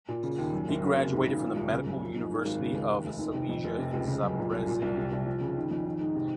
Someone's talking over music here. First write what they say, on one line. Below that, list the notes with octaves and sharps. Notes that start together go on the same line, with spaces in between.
He graduated from the Medical University of Silesia in Zabrze.
A#2
C#3
D#2
F#2
F#1
F#3
C#3
G#2
G#1
A#2
C2
C#3
F#2
F3
G#2
G#2
G#1
C#3
C#2
D#2
F1
D#3
C3
F2
F1
C3
C#2
C#3
F#2
A#2
C2
A#2
C2
C3
C2
F3
C#3
D#3
F2
D#3
G#2
C3